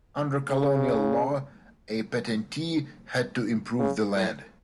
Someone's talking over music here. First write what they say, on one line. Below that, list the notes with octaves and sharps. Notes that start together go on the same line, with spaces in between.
Under colonial law, a patentee had to improve the land.
C#3
C#3
A2